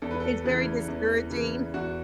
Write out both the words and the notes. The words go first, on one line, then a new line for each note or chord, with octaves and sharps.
It's very discouraging.
E2 A4
B4
A4
C#3 E3
E2
C#3 E3
E2 F#4